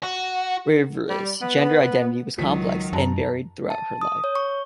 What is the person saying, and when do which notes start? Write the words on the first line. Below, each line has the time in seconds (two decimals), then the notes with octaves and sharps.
Rivera's gender identity was complex and varied throughout her life.
0.03 F#4
1.09 G3
1.41 B3
2.38 C#2 D#3 F#3 B6
2.93 F#2 A5 A#5
3.70 A5
4.01 D#6
4.24 C#5
4.35 C#6